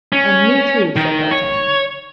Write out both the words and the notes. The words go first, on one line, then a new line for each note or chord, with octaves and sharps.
"And me, too!" said d'Artagnan.
C#4
D#3
C#5